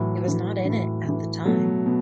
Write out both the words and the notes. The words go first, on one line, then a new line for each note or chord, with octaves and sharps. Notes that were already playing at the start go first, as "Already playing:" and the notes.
He was not in it at the time.
Already playing: A2 E3 F#3
A2 E3
A2 E3
A2 E3
B2 F#3 A3
B2